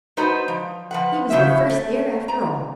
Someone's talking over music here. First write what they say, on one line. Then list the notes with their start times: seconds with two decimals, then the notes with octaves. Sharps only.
He was the first there after all.
0.17 G#3 D#4 F#4 B4 C5 D5
0.48 F3
0.91 F3 B4 F#5
1.30 A2 C#3 A#3 B3 F#4 E5
1.69 A3
2.28 A#5